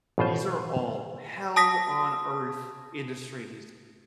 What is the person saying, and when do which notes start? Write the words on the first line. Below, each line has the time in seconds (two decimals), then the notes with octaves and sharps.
These are all hell-on-earth industries.
0.18 A1 B2 F4 C5
1.56 A5 D#6 A#6 B6